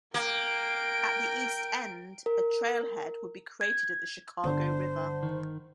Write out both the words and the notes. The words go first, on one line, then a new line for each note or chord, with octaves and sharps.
At the east end, a trailhead would be created at the Chicago River.
A#3 A#4 G5 D7
A#4
G#6
G1 D3 C5
D#3